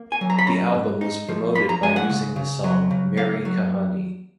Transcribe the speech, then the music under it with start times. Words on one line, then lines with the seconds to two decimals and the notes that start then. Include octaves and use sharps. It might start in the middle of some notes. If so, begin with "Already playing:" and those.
The album was promoted by using the song "Meri Kahani".
Already playing: A#3
0.12 G#5
0.21 F#3
0.30 A#5
0.38 B5
0.47 C#4 A#5
0.74 G#2
1.01 D#4
1.28 F3
1.55 F3 B5
1.69 A#5
1.83 G#3 G#5
1.96 F#5
2.10 C#3
2.36 C#3
2.64 F#3
2.91 C#3
3.17 A#3 F5
3.45 F#3